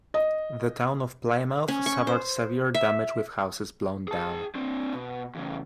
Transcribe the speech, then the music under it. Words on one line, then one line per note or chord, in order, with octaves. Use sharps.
The town of Plymouth suffered severe damage with houses blown down.
D#5
C#4
C#6
C5
E5
G#4 A5
C4 D4
B2
E2 C#3